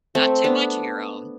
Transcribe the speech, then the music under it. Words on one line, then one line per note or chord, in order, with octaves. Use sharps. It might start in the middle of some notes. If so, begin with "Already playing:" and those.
not too much of your own."
A3 C4
B3 D4